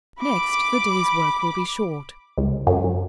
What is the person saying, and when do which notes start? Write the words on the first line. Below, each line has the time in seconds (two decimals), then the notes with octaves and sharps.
Next, the day's work will be short.
0.21 B5 D6
2.38 C#2
2.67 F#2
2.84 F#2